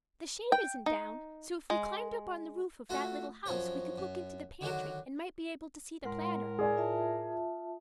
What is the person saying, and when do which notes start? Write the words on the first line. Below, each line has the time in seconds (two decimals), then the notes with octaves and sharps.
The shade isn't down, so if we climbed up on the roof of that little house we could look into the pantry and might be able to see the platter.
0.52 G5
0.86 D#4
1.70 G#3
2.90 A3 F4 F#4 A4
3.46 F#2 F3 C#4 A#4 C#5
3.98 F#2
4.61 D3 D#3 F#3 F#4
6.04 A2 G#3 A#4 F#5 C6
6.59 G#4 D5 G#5
6.76 F4 E5 A5